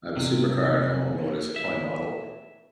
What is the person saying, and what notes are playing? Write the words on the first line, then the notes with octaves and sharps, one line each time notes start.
I have a supercar at home, although it is a toy model.
C3
E5